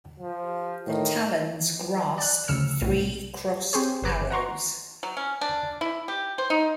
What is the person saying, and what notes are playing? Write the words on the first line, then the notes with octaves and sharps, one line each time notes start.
The talons grasp three crossed arrows.
F3
A2 D#3
D5 F#6
D2 C#3 F3 E6 F6 C#7
B1 A2 C3 F#3
C4 G4 G#4 C5 C#5
G1 B4 D6
F#5 A#5 C6 C#6
F#3
C#4
D4
E4
G4
C5
D#4